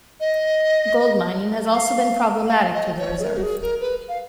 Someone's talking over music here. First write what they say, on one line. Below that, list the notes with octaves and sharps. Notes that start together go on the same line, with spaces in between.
Gold mining has also been problematic to the Reserve.
D#5
F5
F5
D#5
C#5
G#4
A#4
F#4
G#4
A#4
B4
F5